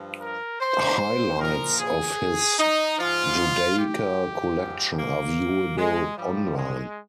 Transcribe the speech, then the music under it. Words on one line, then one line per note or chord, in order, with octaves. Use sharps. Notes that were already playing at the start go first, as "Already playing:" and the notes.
Highlights of his Judaica collection are viewable online.
Already playing: G2 F3
A#4
C5
A#2 F3 A#4
G#4
D#4
G#2 F3 F4
G4
G#2 F3
A#3
G#3
G2 F3 G3
G#3